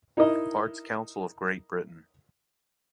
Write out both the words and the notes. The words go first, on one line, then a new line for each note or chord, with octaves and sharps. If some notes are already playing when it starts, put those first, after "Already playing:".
Arts Council of Great Britain.
D#4 E4 A#4 D#5